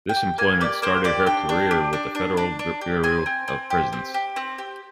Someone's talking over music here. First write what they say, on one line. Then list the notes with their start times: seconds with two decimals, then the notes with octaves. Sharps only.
This employment started her career with the Federal Bureau of Prisons.
0.09 G5
0.16 G4
0.38 A#3 G#5
0.61 G4 D5
0.82 A#3 C5
1.04 G4 D5
1.26 D4 G5
1.49 D4
1.71 G4
1.93 D4
2.15 D4
2.37 D4
2.59 D4
2.81 G4
3.04 C4 G#5
3.26 C4
3.48 C4
3.70 G4
3.93 C4
4.14 G4
4.36 C4
4.58 G4